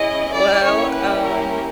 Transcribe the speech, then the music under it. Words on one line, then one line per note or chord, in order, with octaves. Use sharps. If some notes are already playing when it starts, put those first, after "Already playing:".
Well, um
Already playing: C#4 E4 G#4 D#5
D5
A#3 C#4 E4 G4 C#5
B4
A#4